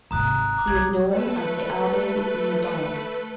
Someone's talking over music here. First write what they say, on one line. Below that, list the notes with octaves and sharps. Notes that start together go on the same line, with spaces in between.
He was known as the Abbe Midon.
G#1 C3 A#5 D#6 F#6
A#5 D6
B1 G#6
A3 A4 B4